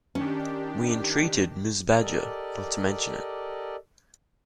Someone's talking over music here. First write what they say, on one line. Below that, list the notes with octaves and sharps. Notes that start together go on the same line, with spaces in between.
We entreated Mrs. Badger not to mention it.
D#3 C#4 D4 G4
G4 A4 A#4 D5 D#5